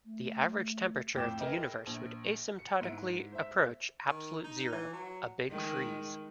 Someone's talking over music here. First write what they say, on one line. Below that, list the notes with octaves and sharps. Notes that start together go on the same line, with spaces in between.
The average temperature of the universe would asymptotically approach absolute zero-a Big Freeze.
A3
F2 A2 G5 D6 E7
G#4 A#4 B4 D#5 E5 G5
A#1
C#7
G#2 E4 D7
C5 E5
D#3
D#4
E3
F#3
D#3 G#3